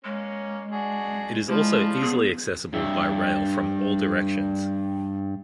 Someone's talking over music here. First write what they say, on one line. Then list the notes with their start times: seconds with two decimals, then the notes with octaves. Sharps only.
It is also easily accessible by rail from all directions.
0.05 G#3 A#3 C#4
0.71 D4 F#4 G#4
1.48 F3 G#3 D4 E4
2.01 B3 G#4
2.73 G2 E5